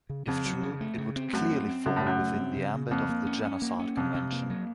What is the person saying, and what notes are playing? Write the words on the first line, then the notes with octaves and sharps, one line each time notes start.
If true, it would clearly fall within the ambit of the Genocide Convention.
C#3
F2 C#3
F#3
C#3
A3
C#3
C4
F#2 A3
C4
C4
F#2 C#3
A2
F#2 A3
C#3
C4
C#3
C#3
F2 A#3
A#3
C#4
C#4
A#3
C#4
F2 C3
C3
A#3
F#3